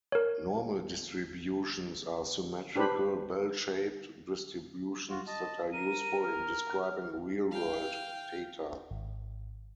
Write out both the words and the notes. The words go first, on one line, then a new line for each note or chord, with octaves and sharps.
Normal distributions are symmetrical, bell-shaped distributions that are useful in describing real-world data.
A#4 C#5
D4 G4 B4 C5 B5
F4 F#4
D#5 A5
A#4 D#7
F6
F5 G5
G#1